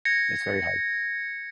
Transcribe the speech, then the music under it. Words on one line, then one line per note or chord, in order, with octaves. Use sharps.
It's very hard.
G#6 A#6 C#7